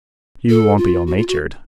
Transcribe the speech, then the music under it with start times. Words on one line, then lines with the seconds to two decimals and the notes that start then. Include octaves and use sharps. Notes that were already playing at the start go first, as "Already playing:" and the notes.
"You won't be ill-natured?"
0.49 A4
0.78 F4
1.07 F#4
1.17 F4
1.28 F#4